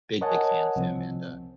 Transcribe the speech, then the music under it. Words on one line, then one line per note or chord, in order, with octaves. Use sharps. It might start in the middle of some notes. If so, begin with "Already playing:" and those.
big big fan of him and, uh,
A#4 C#5 D#5 F#5 G#5 A5
C2 F3 C4